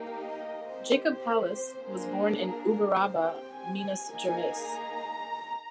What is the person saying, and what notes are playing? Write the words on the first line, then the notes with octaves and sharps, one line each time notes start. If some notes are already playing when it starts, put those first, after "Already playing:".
Jacob Palis was born in Uberaba, Minas Gerais.
Already playing: A#3 D#4 G4
D#5
C4 G4 C5
C5
A#3 D4 G#4
A#4
A#4
C4 G4 C5
G5
G#5
A#3 D#4 G#4 G#5
A#5